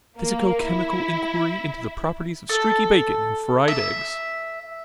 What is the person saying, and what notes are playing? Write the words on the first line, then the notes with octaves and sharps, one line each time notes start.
A physico-chemical inquiry into the properties of streaky bacon and fried eggs.
A#3
E4
A4
E5